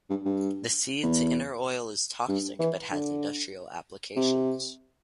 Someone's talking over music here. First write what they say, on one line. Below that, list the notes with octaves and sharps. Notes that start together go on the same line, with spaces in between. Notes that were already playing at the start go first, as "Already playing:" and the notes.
The seed's inner oil is toxic but has industrial applications.
G2
G2
E2
G2
E3
D3
C3